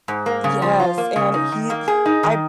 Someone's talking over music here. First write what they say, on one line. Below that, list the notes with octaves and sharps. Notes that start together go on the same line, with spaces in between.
Y yes, and he h I
G#2
A#3
C#3
F3
F4
A#3
C#3
D#4
D#3
A#3
G#4
D#4
D#3